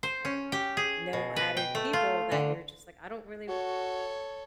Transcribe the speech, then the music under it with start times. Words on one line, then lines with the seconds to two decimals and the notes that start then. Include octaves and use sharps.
and no added people that you're just like, "I don't really
0.03 C5
0.25 C#4
0.52 G4
0.77 G#4
1.13 B2
1.36 B4
1.57 G5
1.75 A3
1.93 F4
2.32 D3
3.48 F#4 A4 C#5